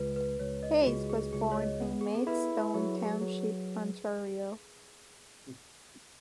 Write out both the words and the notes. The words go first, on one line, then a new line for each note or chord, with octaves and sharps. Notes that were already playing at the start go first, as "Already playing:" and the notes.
Hayes was born in Maidstone Township, Ontario.
Already playing: C#2 B4
B4
C#2 C#5
D#5
F#4
C#2 G#4
G#4
C#2 G#4
C#5
D#5
B3
G#4
A4
E4 B4
F#3 G#4
G#4
F#3